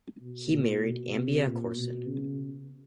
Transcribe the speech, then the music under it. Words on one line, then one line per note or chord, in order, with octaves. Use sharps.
He married Ambia Corson.
B2
A#2
B2
C3
A#2
B2
C#3